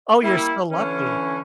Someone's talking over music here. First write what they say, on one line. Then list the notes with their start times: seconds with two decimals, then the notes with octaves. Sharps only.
Oh, you're so lucky.
0.23 G3 A#3 E4
0.70 D3 E3 C#4